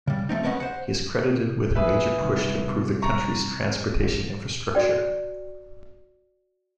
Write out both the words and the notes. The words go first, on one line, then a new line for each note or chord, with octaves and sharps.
He is credited with a major push to improve the country's transportation infrastructure.
C#3 G3
F3 A3 C4 D#4
C#2 D#3 B3 C#4 D#5 F#5
C5 F#5
G#4 B4 E5
C2 D#3
A#5 C#6
F#4 D5 G5